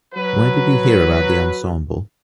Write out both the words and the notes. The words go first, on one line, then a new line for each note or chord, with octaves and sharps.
Where did you hear about the ensemble?
F#3 B4